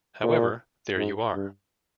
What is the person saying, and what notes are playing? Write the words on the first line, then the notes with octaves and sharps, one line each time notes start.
However, there you are.
A#2
G#2
G2